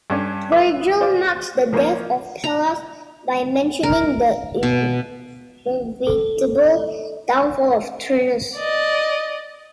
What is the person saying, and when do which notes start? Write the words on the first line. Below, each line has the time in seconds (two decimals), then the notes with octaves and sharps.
Virgil marks the death of Pallas by mentioning the inevitable downfall of Turnus.
0.10 G2 C#4 D4
0.52 B4 E5 D6
1.00 F4 C5 D5 D6
1.73 F3 A#3 A#4 C5 C#5
2.44 A#5
3.83 A#4
4.63 B2
6.07 A4
8.56 D5 D#5